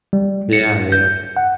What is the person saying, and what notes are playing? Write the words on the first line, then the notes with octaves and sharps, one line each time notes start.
Yeah, yeah.
G3
C#7
G6
F#5